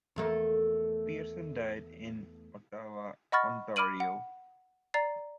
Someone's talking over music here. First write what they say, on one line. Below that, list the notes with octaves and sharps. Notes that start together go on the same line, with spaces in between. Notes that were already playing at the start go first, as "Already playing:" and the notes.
Pearson died in Ottawa, Ontario.
E2 A3 A#3
D#5 F#5 B5 C#6 F6 A6
B5 D6 F6 D7 D#7 F#7
F#5
D5 A#5 A6 C7